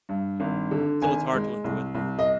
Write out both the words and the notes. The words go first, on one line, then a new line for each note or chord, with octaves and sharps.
Uh, so, it's hard to enjoy the movie.
G2
G#1
D3
G#1 G#5
G#3
C2
C2
D#5